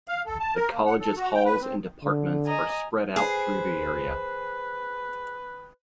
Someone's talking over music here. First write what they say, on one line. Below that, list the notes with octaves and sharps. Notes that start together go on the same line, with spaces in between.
The college's halls and departments are spread out through the area.
F5
A4
A5
A#4
A#3
F#5
A4
F#4
G5
B4
C4
D3
D#5 G#5 A#5
G#4 B4 C5